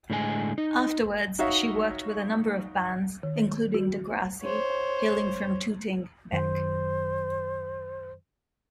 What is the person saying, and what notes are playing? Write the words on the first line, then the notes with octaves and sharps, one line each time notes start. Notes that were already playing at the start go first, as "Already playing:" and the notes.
Afterwards, she worked with a number of bands, including Degrassi, hailing from Tooting Bec.
A2 D3 G#3 D#4 G#5
D#4
D#4 F#4 C#5 E5 F5
D#3
F#4
C5 C#5
F#2 D#3 C5